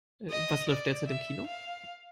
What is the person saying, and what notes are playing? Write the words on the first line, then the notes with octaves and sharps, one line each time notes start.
Was läuft derzeit im Kino?
D#5
D5
E5
F5